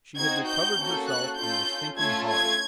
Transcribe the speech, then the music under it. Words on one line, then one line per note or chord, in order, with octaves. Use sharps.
She had recovered herself and was thinking hard.
C4 D#4 F#4 G#6
G6
A#3 C#4 F#4 A4
F#6
C#4 F4 A4 G6
A3 C#4 F4 A4 G#6
G#6